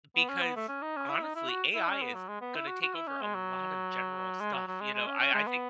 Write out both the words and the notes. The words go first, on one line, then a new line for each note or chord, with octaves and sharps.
because honestly, AI is gonna take over a lot of general stuff, you know? I I think
B3
C#4
B3
A3
C#4
D#4
C#4
E4
D#4
E4
F#4
E4
C#4
B3
F#3
G#3
B3
E4
F#4
F#4
E4
C#4
G#3
F#3
G#3
F#3
F#3
G#3
G#3
C#4
C#4
G#3
B3